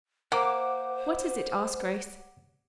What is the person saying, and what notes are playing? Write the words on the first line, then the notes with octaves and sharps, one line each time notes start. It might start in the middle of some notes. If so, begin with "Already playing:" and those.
"What is it?" asked Grace.
A#3 C5 F#5 D6